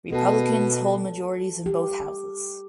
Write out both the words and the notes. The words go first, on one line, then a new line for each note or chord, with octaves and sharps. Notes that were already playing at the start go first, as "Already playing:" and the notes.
Republicans hold majorities in both houses.
B2 A4
G4